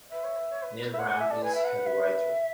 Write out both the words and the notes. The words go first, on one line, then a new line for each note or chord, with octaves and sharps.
Neil Grahn is head writer.
B4 E5
C#5
B4
C#5
B4
B4 E5
C#5 F#5
F#5
G#5
E5
D5 A5
B4 G#5
E5
F#5
E5